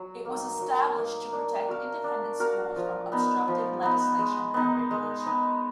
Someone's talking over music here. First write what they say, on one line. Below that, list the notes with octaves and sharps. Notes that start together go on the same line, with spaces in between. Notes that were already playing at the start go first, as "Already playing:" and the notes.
It was established "to protect independent schools from obstructive legislation and regulation".
Already playing: F#3
A#3 D#4
F#3
A#3 D#4
D4
F#4 A#4 F5
D4
F#4 A#4 F5
F3
B3 D#4
F3
B3 D#4
G#3
B3 D#4
G#3
B3 D#4